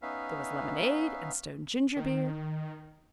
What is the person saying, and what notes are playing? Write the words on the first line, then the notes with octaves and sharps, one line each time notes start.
There was lemonade and stone ginger-beer. . . .
B3 C#4 D#4 E5 F5
D#3